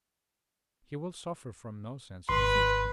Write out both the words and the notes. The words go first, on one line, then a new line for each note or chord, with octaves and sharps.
He will suffer from no sense of defeat.
G#1 B4 C6